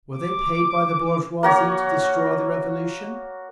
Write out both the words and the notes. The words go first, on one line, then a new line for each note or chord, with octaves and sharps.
Were they paid by the bourgeoisie to destroy the Revolution?
D6
A#3 F#4 C#5